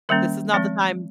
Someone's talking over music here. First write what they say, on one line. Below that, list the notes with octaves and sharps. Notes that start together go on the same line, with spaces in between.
this is not the time
D#3 G3 A#3 C#4 A#4
F3 G#3 C4